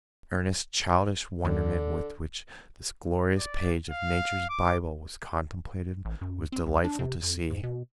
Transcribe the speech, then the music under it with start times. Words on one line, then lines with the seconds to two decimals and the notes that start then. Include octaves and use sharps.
The earnest, childish wonderment with which this glorious page of Nature's Bible was contemplated was delightful to see.
1.45 D#2 D3
3.37 D5
3.91 F5
4.49 D6
6.05 A1
6.21 F#2
6.52 C4
6.66 C2
6.84 D4
6.99 C3
7.23 F2
7.50 G#2
7.63 B2